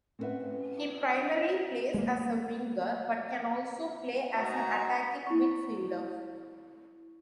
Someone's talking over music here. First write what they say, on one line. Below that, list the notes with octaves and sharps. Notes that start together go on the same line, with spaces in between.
He primarily plays as a winger, but can also play as an attacking midfielder.
C4 C#4 A#4 B4 E5 F#5
G#3 A#3
C#4 D#4 F#4 G#5 A#5
E4 C#6